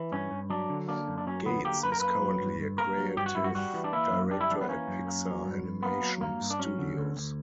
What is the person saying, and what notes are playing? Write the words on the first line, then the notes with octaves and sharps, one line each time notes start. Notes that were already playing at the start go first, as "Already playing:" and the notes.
Gates is currently a Creative Director at Pixar Animation Studios.
Already playing: E3
G2 C#4
G2
F#3 D4
D3
A#3 D4
F#2
D4
F#3 C#4
D3 B3
A#3 G4
F#2 B4
A#4
A#3 B4
F#3
G2
G2
A#3 A#4
F#3
G2 G4
F#4
G2 E4
F#4
G3 F#4
E3
D4
A#3 E4
F#2
G3 D4
E4
E3 D4
B3
A#3 C#4
F#2
A#3
F#3
G2
G2
A#3 B3
F#3
G2 A#3
G2
D4
F#3 C#4
D3
D2
D2